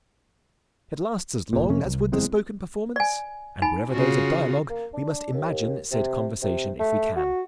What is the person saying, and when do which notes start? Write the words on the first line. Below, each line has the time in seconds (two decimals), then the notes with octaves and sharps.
It lasts as long as would the spoken performance, and wherever there is a dialogue we must imagine said conversation if we can.
1.53 F1 A#2
1.68 F2 C3 C#4
1.85 C2
2.12 F#1 E2 G#3 C4
2.96 D5 G#5
3.62 D#4 G#5 B5
3.92 C#3 F4 F#4
4.69 A#3
4.93 D4
5.33 D#2
5.92 C3
6.42 C3
6.79 A3
7.16 F#4